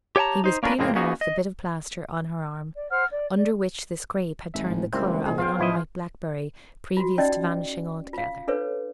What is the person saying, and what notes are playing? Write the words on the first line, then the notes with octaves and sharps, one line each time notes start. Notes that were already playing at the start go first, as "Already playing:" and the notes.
He was peeling off the bit of plaster on her arm, under which the scrape had turned the color of an unripe blackberry previous to vanishing altogether.
G4 C#5 G5 A5 A#5
D#4 C5
A#3 C#4 D4 F4 A#4 B4
F2 A2 C#3 G#3 A#3 C4
A#3 B3 C#4 D#4 F#4 G#4
D#5
D5
C5 F#5 F6
D5
D5
G#1 E5
A2
C#2 G3 A#3 C4 E4
C2 A#2 G#3 G#4
B3 F4 C5 F5 G5
A1 F3 E4 D#5
F4 F#4
C#4 D#4 D5 D#5 G5
F4 F5
D4 A4 B4 C#5